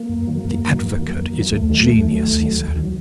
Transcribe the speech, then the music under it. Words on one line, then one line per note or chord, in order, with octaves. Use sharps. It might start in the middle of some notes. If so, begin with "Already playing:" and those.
"The advocate is a genius," he said.
Already playing: A#3
F#2
D#3 F#3
F#2 A#3
D#3 F#3
F2
D#3 F#3
F2
D#3 F#3
D#2 A3
D#3 F#3
D#2
D#3 F#3
D#2
D#3 F#3
D#2
D#3 F#3